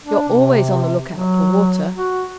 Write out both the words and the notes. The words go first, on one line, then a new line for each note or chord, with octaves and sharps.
"You're always on the lookout for water."
D4
C3
F#3
F#4